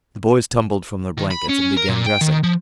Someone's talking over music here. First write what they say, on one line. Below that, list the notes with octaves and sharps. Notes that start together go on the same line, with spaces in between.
The boys tumbled from their blankets and began dressing.
D#3
B5
C#4
A#4
A#2
G5
D#3
F3